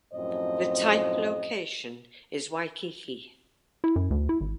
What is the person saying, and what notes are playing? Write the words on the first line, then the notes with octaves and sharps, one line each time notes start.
The type location is Waikiki.
F#2 A2 F3 C4 C5 D#5
E4
F#2
D2
E4
G#1